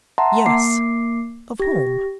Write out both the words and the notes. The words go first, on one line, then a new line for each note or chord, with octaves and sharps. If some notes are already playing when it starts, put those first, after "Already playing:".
"Yes, of whom?"
E5 F#5 A5 A#5 C6
A#3 D6 C7
G4 A#6